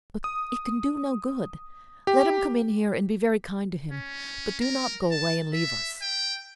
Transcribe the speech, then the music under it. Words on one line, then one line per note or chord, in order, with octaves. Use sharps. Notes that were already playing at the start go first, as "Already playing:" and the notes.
But it can do no good. Let him come in here, and be very kind to him; but do not go away and leave us.
D#6
G4
C#4
A#4
A5
E5
G5